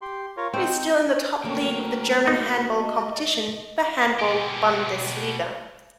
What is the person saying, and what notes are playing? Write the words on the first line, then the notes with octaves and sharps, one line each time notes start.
It is still in the top league of the German handball competition: the Handball-Bundesliga.
G4 C6
F4 A#4 C#5
C4 D#4 G5
A3 A#3 D4 F#4 A#4 C#5 G5
D#4
D#5
B2 G4